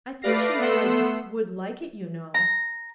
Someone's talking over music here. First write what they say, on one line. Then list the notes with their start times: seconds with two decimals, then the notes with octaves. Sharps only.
"I think she would,--would like it, you know."
0.22 A3 B4 D5 F5 A#6 C7
0.59 A3 B3 F#5 C6 E6
2.34 A#5